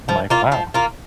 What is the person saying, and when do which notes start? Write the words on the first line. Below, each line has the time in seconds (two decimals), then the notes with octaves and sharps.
I'm, like, "Wow.
0.09 F3
0.30 A#3 F4
0.52 F3
0.74 A#3 F4